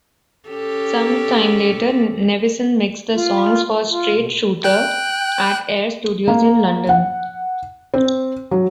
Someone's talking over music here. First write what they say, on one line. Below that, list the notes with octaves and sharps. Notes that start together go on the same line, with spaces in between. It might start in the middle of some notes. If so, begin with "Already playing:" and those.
Sometime later Nevison mixed the songs for "Straight Shooter" at Air Studios in London.
C#4 G4 A4
F4
F4
B2
G5 F#6
A#3
F#5
C4
F#3